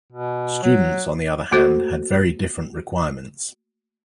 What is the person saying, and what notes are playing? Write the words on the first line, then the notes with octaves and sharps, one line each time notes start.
Students, on the other hand, had very different requirements.
B2
F#3
A3 A#3 F#4 A4 C5